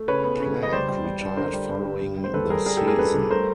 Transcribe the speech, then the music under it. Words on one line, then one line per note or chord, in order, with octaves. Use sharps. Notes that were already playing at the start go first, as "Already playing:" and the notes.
Plank retired following the season.
Already playing: A3
C#3 B4 C#5
B3
C#3
C#3
D#5
G3 C5 D5
G3
G3
D4
D3 A#4 C5
G3
G2
D3
G2
G3
C5
G2 A4 B4
G3 G#4 A#4
G3 G#4 A#4
G4 A4
G2
G#4 A#4
G2 A4 B4
G2
A3 A#4 C5